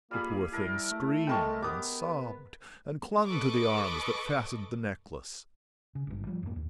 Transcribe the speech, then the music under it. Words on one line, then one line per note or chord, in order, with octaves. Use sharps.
The poor thing screamed and sobbed, and clung to the arms that fastened the necklace.
G3 A#3 F4 G#4 B5
G3 E4 A4 A#4 G#5
A3
G#3 A4 A#4 G5 A5 A#5 C#6
B3 G4 A#4 D6 D#6
B4
A4 B4 D#5 C#6 D6
C#3
G#1 G2
F3 G3
F2 G#2 F#3 A#3
D#2